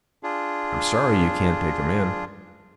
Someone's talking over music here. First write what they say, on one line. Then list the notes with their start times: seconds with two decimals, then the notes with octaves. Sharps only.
I'm sorry you can't take him in.
0.23 D4 F4 G#4